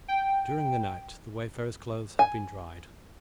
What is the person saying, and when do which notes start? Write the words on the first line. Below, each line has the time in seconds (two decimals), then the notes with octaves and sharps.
During the night the wayfarer's clothes had been dried.
0.08 G5
2.19 G#5